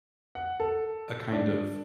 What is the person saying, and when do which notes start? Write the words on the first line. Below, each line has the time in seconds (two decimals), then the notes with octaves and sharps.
a kind of
0.35 F#5
0.60 A4
1.32 D4